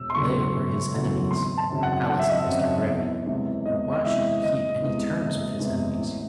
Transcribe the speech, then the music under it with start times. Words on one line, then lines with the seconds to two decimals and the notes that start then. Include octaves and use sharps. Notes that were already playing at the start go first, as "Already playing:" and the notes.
They were his enemies,--Alice and Mr. Grey,--and why should he keep any terms with his enemies?
Already playing: E1 E6
0.10 C6
0.15 E2 C#3 F#3 A3 C#6
0.54 E1
0.92 E2 C#3 F#3 A3
1.31 G#1 C6
1.57 A5
1.70 F#2 C#3 F#3 C4
1.83 F#5
2.09 G#1 F#5
2.19 E5
2.29 D#5
2.38 E5
2.49 F#2 C#3 F#3 C4
2.87 E2
3.26 C3 E3 G#3
3.66 E2 D#5
3.92 D#5
4.04 C3 E3 G#3 E5
4.43 F#1 D#5
4.82 E2 C3 E3 G#3
5.21 F#1
5.59 E2 C3 E3 G#3
5.98 A1